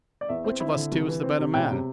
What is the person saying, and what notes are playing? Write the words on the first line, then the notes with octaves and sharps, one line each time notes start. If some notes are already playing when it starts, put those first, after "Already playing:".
Which of us two is the better man?
D5
E2 E5
C4
E4
D3
C2
E3
C4
C3
E1 G5
C3